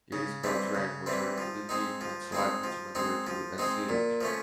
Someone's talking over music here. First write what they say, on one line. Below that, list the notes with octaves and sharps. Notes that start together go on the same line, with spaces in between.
It is well drained, moderately deep, and slightly to moderately acidic.
C#3
E3 G3 C4
C#3
E3 G3 C4
F3
G#3 C4 D#4
F3
G#3 C4 D#4
F3
G#3 C4 D#4
F3
G#3 C4 D#4
A#2
F3 A3 C#4